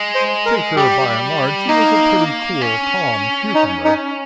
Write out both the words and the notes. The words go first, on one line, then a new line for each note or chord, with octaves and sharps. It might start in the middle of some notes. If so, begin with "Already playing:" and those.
Take her by and large, she was a pretty cool, calm cucumber.
Already playing: G#3
C5
A#4
G3 G4
A#3 D#4
C#4
D#4
D#4